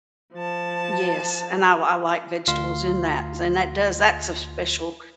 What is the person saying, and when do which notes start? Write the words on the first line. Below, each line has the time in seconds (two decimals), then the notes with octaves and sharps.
Yes, and I l I like vegetables in that, and that does that's a special
0.34 F3 A5
2.47 D2 F4 F5 C6